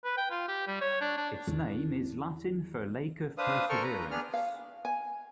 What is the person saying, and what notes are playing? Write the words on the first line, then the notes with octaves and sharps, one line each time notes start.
Its name is Latin for Lake of Perseverance.
B4
G5
F4
G4
G3
C#5
D4
D4
E2 D3
D4 B4 C5 F5 D#6
A4 A#4 C5 G5 C#6 F6
B4 A#5
B3 D4 G#4 F6
F5
G#5